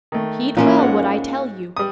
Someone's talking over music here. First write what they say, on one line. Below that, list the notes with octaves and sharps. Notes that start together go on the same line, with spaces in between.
Heed well what I tell you.
D#3 A3
A1 A#3 C#4 F4
G#2 F#5
G3 D#6